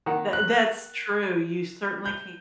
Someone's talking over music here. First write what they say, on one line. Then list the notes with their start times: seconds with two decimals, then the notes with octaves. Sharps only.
Tha that's true, you certainly ca
0.06 D#3 A#3 F#5
0.33 F#6
2.06 G6